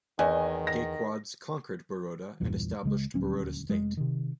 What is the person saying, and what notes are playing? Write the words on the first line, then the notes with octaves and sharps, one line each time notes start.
Gaekwads conquered Baroda and established Baroda State.
E2 D#3 D#5 G#5
A#6
B1 E2 G2 A#2
C#2 C#3 G#3
D#1 D2 F#3 C#4
F1 C#2 G#3
C3 D#3